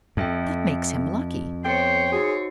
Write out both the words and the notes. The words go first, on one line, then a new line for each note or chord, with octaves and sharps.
"That makes him lucky."
F2 A4 E5 G5
B3 A4 C5 C#5 G5 C7
D#4 F#4 G#4